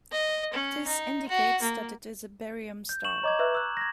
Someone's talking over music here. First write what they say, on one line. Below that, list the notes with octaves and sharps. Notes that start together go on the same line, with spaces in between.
This indicates that it is a Barium star.
D#5
C#4
D#4
F#4
A#3
G6
C#6 E7 F#7
C#5 D#5 A#5 D6 G#6
B4 E5 F#6
E6 F#6
G#6 A#6